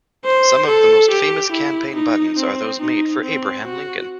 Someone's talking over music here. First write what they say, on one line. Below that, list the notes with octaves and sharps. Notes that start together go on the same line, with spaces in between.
Some of the most famous campaign buttons are those made for Abraham Lincoln.
C5
A4
G4
E4
D#4
C4
D#4
C4
F#4